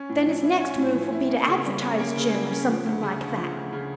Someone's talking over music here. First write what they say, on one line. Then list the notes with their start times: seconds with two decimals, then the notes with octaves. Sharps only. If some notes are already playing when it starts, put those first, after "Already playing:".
Then his next move will be to advertise Jim, or something like that.
Already playing: C#4
0.09 A2
0.27 F3
0.43 E4
0.60 C#4
0.78 A2
0.95 F3
1.13 E4
1.30 A#3
1.47 C#3
1.65 G3
1.82 C#4
1.99 A#3
2.17 C#3
2.34 G3
2.51 C#4
2.69 F3
2.86 D2
3.03 C#3
3.21 D2
3.38 F3
3.55 D2
3.73 C#3